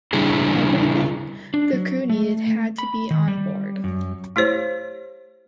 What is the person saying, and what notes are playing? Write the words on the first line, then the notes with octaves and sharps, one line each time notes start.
Everything the crew needed had to be on board.
C#3 G3 D4 E4 G#4
D4
F#3
A3
B5
D#3
G3
F#2
A3 E4 G4 C5 C#5